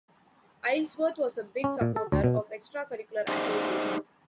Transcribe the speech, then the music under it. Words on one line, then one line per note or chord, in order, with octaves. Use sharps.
Aylesworth was a big supporter of extracurricular activities.
C#4
A#2
A4
D2
B2
D#4 G4 G#4 C5 D5 D#5